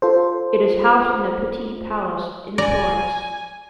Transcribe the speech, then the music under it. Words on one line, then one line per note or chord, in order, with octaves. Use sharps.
It is housed in the Pitti Palace in Florence.
F4 A4 C5
D5 G#5 A#5